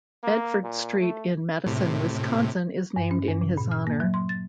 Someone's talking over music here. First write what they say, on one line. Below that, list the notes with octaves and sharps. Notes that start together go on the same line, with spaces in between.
Bedford Street in Madison, Wisconsin is named in his honor.
A#3
A#2
A3
A2 C3
G2
C#4
G2
C#3
A#2
F6
A#3
F#3
C6
A6